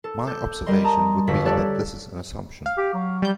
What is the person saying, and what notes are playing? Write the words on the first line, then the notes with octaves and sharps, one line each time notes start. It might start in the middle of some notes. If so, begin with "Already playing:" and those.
My observation would be that this is an assumption.
A4
A4 D6 G6
G3 A#4 D#5 C6
A5 A#5 D#6
G1 F2 G3 F#4 A4 B6
G4 A4 C#5 D5 A5 F#6
F5
G4
F#3
G3 G6